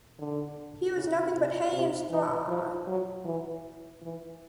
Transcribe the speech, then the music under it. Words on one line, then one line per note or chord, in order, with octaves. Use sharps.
Here is nothing but hay and straw.
D3
C#3
C3
C3
E3
F3
F#3
E3
E3